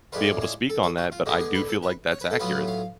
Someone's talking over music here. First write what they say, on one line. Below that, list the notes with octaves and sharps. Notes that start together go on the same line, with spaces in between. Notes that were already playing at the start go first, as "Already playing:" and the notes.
be able to speak on that, but I do feel, like, that's accurate.
A2 G#3 D4 F4 B4
G#4
A4
A4
F#4
F4
D3 G#3 B3 F#4
G#4
B4
A4
B4
C#5
B4
A4
A2 F#3 B3 F4 B4
F5